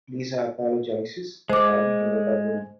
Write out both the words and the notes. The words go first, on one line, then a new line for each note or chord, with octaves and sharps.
Lisa apologizes for calling him a baboon.
G#3 C5 D6